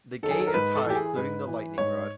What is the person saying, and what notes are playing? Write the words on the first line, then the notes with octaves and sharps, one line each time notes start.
The gate is high including the lightning rod.
D#3 F#3 A4
G#4
A4
A#4
G#2 B4
A4
E3
G4
G#4
G#2 B4
E3
G#2 C#5